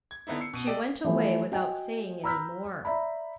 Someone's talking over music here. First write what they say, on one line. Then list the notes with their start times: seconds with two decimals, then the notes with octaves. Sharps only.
She went away without saying any more.
0.11 G#6
0.27 D3 B3 C4 D#4 E4
0.40 E6 C7 C#7
0.54 B2 D#7
0.67 G4 A4 D5 D#5 G5
1.05 E3 F3 G3 A3
1.52 F#4 D#5 G5 G#5
2.24 A#5 B5 E6 F6 G6 B6
2.85 D5 E5 A#5 B5